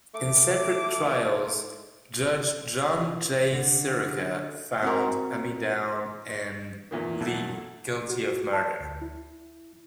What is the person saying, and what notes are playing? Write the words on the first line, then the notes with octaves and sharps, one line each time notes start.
In separate trials, Judge John J. Sirica found Ammidown and Lee guilty of murder.
A3 D6
D3
C4 F#4 A#4
E2 A#2 D#3
B2 F#3 A3
F#4
A5
D2
E4